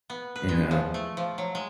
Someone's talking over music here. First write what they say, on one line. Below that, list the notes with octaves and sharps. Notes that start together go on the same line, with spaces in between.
you know?
B3
B4
G#3
F3
A3
F3
F#3
G#3